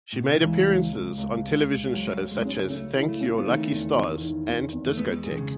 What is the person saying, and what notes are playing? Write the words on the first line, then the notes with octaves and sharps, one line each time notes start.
She made appearances on television shows such as "Thank Your Lucky Stars" and "Discotheque".
A2
B2
C#3
D#3
C#2 E3
C#2
C#2
C#2
C#2
C#2
F#3 G#3
F#3
G#3
C#3
C#3 A3
E4
A3
C#4
B3
D#3 A3
E2
E2
D#3
E2
E2
A3
G#3 B3
G#4
D#3
C#3